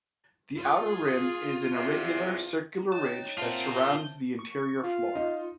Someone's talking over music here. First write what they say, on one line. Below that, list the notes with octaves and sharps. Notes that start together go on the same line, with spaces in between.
The outer rim is an irregular circular ridge that surrounds the interior floor.
F4
G#4
E2 C3
D#4 C#5 G5 A6
C4 F4 A#4 C5 E5 F#5 A5
G6
C#6
F4 F5
D#4